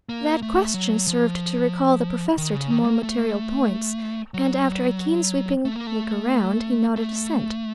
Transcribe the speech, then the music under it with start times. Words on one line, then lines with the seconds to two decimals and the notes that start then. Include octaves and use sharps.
That question served to recall the professor to more material points, and, after a keen, sweeping look around, he nodded assent.
0.09 A#3
0.42 A3
0.74 F#3
1.08 F3
2.37 D#3
2.54 C#3
2.71 D#3
2.87 A#3
3.03 A3
4.34 F#3
5.65 A3
5.76 A#3
5.87 A3
6.96 A3